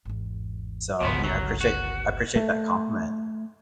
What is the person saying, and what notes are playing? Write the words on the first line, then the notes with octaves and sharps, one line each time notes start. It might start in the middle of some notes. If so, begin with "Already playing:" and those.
so, you know, I appreciate I appreciate that compliment.
G#1 E2
G1 C#2 B2 F3 B3
F#3
F#4
A3